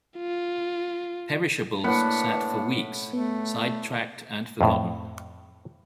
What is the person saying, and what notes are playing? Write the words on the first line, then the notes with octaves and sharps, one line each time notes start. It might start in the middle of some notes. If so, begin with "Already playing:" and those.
Perishables sat for weeks, sidetracked and forgotten.
F4
A2 A#3 D4 B4 F#5 B5
A3 B3
F2 A2